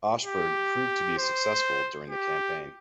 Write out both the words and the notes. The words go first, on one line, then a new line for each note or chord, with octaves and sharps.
Ascheberg proved to be successful during the campaign.
G4
C5
G4